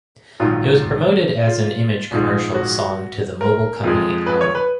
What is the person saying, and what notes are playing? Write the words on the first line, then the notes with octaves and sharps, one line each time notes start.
It was promoted as an image commercial song to the mobile company au.
A#1 G#2 D#3 F#3 F4
F4
A#1 G#2 F3 G#3
F#4
A#4
F2 F3 G#3
B4
C#5
B4